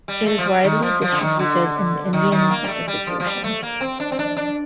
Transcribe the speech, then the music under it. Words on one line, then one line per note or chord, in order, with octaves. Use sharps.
It is widely distributed in the Indian and Pacific Oceans.
G3
A3
F3
G3
D#3
F3
F3
D3
D#3
D3
D#3
D#3
A#3
G3
A3
G3
F3
F3
G3
A3
A#3
C4
D4
C4
D4
D4